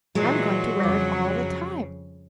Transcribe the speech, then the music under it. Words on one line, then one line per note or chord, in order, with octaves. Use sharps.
"I'm going to wear it all the time."
A#2 E3 F#3 G#3
F2 C#3 G3 D6